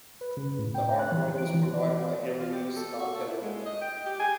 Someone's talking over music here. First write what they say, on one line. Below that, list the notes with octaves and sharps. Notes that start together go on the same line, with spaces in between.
The art work was provided by Henry Scarpelli.
B4
C#3
A2
G5
F#6
E3
D7
E3
D5
A#3
F4
G4
A4
F#4
A4
E4
G#3
D#5
G5
G4
G#5